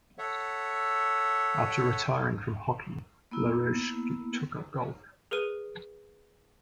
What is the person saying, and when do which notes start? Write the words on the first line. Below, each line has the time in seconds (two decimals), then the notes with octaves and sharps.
After retiring from hockey, Larouche took up golf.
0.18 A4 C#5 E5 F#5
3.31 A#3 B3 E4
5.31 G#4 A#4 B4 D#7